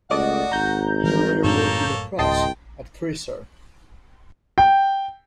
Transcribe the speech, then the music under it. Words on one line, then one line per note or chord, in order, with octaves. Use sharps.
He later worked in a press at Thrissur.
C#2 A3 F#4 D5 D#5 F#5
G#1 A#5 G6
E3 G3 A#4
F#2 A2 A#3 A4 C#5
D1 C2 D#5 G5 A5 C6
G5